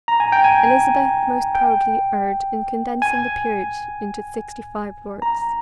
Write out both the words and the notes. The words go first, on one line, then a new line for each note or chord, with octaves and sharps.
Elizabeth most probably erred in condensing the peerage into sixty-five lords.
A#5
G#5
G5
G#5
G5
G#5
A#5